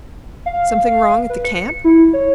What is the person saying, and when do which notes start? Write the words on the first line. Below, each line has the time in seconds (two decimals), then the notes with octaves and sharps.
"Something wrong at the camp?"
0.46 F5
1.30 B4
1.45 C#7
1.84 E4
2.13 C#5